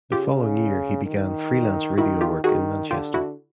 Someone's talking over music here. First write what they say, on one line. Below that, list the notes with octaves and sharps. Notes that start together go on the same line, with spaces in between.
The following year he began freelance radio work in Manchester.
C#3 F4 G4
D#3
D#3 E4 F#4
F4 G4
D#3 F#4 G#4
D3 F4 G4
E4 F#4